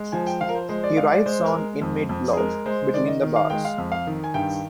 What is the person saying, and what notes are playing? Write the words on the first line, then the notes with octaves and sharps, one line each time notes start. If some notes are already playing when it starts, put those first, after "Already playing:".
He writes on inmate blog "Between the Bars".
Already playing: G#3
F3 G#5
G5
F3 F5
A#4
C5
G#3 C5
D5
G#3 F5
D5
G#3 C5
A#4
G#3
F2
F2
G#4
G#3 A#4
G#3 C5
D#3 D5
D#5
D#3
F5
G#3 G5
F5
F2
F5
D#3
G#5
G2 G5